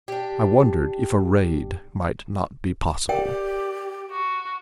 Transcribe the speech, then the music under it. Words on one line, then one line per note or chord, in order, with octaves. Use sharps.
I wondered if a raid might not be possible.
D4 G4
G4 A#4 D5 G5
F#4